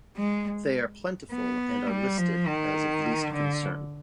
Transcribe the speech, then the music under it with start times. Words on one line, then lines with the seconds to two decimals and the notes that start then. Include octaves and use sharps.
They are plentiful and are listed as of Least Concern.
0.17 G#3
1.32 B3
1.90 G3
2.18 F3
2.47 D#3
3.34 D3